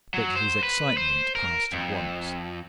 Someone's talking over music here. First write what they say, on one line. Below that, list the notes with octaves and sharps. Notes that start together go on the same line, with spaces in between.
But his excitement passed at once.
F#3
C5
B4
C5
A#4
F2